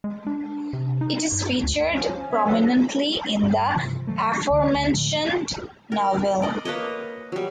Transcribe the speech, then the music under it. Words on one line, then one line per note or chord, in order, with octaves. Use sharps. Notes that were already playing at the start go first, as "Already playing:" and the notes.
It is featured prominently in the aforementioned novel.
G#3
D4
C3
D#4
G2
D2
F3 C#4
C#4
B3 C#5 E5
D3 F3 F#3 G#3 A4 B4
G2 G3
G2 C3 E3 F3
D#3 F#3 G#3 A3
C#2 D3
D2
A2 D3 F3 G#3
A#4
D5 D#5
A#3 B4 C#5 D#5
F#3 G3